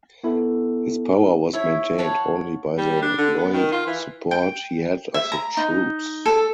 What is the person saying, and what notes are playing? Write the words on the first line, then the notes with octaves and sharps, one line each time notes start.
His power was maintained only by the loyal support he had of the troops.
B3 E4 A4
E4 C#5
C#5 F5 F#5 A5
G3
D4
D3
B3
D#3
F4
E3
G5
E5
A#5
D#4
A4